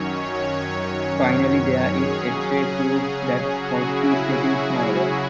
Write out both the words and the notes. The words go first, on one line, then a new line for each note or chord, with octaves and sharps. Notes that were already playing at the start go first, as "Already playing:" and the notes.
Finally, there is x-ray proof that Scott is getting smaller.
Already playing: F#2 D#3 F#3 C#4 C#5
C#5
C#5
G#4
C#3 F#3 C#4
F#4
E4